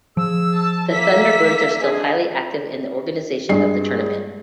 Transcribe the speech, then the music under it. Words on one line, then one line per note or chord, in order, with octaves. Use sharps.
The Thunderbirds are still highly active in the organization of the tournament.
F3 G#4 E6
A5
A#3 A4 E5 B6
G#3 D4 G#4
G2 G#3 G#4 C7